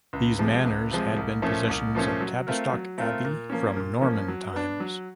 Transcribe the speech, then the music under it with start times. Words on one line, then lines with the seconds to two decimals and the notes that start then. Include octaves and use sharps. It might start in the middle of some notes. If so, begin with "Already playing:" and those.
These manors had been possessions of Tavistock Abbey from Norman times.
0.13 C#2
0.39 C3 F3 G#3
0.65 C#2
0.91 C3 F3 G#3
1.17 C2
1.42 A#2 F3 A3 C#4
1.69 C2
1.95 A#2 F3 A3 C#4
2.20 F#3
2.47 A3 C4 F4 A#4
2.73 F#3
2.98 A3 C4 F4 A#4
3.25 A#2
3.50 F3 A#3 C#4
3.76 A#2
4.01 F3 A#3 C#4
4.28 F#3
4.53 B3 D4
4.80 F#3